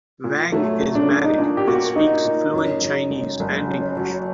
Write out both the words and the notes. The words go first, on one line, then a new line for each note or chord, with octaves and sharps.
Wang is married and speaks fluent Chinese and English.
A#2
F#3 A3
F#3 A3
D4
A#3 D4
D#4
A#2 D4
G4
A#3 F#4
A#3 D#4
A#2
F#2
F#2
F#1
F#1
F#2
F#3